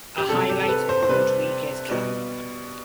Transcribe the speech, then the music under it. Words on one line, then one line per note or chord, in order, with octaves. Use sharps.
A highlight of the Rodrigues catalog.
G4
C3 G3 A4
G4
A4
B4
C5
C5
C3 G3 B4
B2 G3